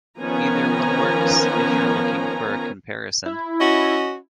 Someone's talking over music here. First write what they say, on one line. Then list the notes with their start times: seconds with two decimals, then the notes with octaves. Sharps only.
Either one works if you're looking for a comparison.
0.20 D#3 F3 B3 C#4 G#5 A#5
3.26 E4
3.58 C#4 F#4 D#5